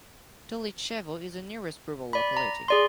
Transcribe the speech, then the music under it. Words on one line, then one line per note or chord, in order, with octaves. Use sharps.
Tulichevo is the nearest rural locality.
D5 B5
A#5
G#4 D5 C6